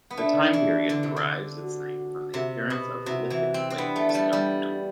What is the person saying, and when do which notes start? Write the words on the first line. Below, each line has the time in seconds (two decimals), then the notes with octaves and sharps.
The time period derives its name from the appearance of "Lithic flaked" stone tools.
0.10 B3
0.17 A3 D4
0.53 E3
0.89 D3
1.03 C3
1.17 D3
1.62 F#4
2.34 C3
2.70 B2
3.05 C3 F#4
3.30 E3
3.54 C4
3.70 C4
3.78 B3 D4
3.96 A3
4.09 A3
4.15 G3
4.33 G3